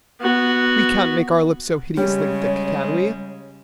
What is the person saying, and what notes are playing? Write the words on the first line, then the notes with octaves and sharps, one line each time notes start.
We can't make our lips so hideously thick, can we?
B3 F#4
C#3 G3 G#3 C#5